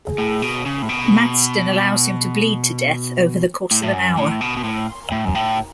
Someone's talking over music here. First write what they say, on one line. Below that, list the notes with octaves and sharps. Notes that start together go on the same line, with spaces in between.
Maddstone allows him to bleed to death over the course of an hour.
A2
B2
C#3
A2
B2
A2
A2
F#2
A2
B2
B2
A2
A2
F#2
A2